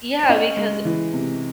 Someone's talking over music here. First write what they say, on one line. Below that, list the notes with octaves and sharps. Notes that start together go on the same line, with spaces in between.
Yeah, because
D5
C#4 D#5
G#3
E3
C3